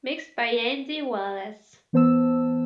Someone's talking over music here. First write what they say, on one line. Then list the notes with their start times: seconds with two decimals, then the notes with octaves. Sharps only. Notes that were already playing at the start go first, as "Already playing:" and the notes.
Mixed by Andy Wallace.
1.93 E3 B3 C5 A5 E6